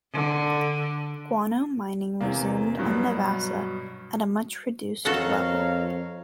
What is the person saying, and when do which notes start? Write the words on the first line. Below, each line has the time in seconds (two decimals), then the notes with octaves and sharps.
Guano mining resumed on Navassa at a much reduced level.
0.13 D3
2.21 E2 C3 A#3
2.78 G2 B2 F#3
5.05 F2 F#4 A4 A#4 C#5 F5 F#5